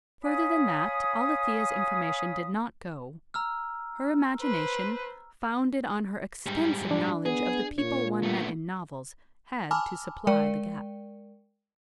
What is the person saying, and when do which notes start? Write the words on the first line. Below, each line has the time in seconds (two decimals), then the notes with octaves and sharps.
Further than that Alethia's information did not go; her imagination, founded on her extensive knowledge of the people one met in novels, had to supply the gaps.
0.24 C#5 F5 G#5 B5 D#6
3.34 A#5 E6 F6
4.41 B4 C5
6.46 G#2 G3
6.91 D4
7.26 B3 G#4
7.79 A#2 C#5
8.23 A3 B3
9.71 G#5 A5 B5 D6 E6 F6
10.27 G#3 A#4 D5 G5 C#7